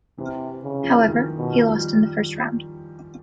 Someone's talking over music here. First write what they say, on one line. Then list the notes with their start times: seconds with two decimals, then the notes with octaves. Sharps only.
However, he lost in the first round.
0.18 C3 E3
0.63 C#3
0.84 F3
0.96 E3
1.08 D#3
1.30 F3
1.38 B2
1.52 F3
1.68 G3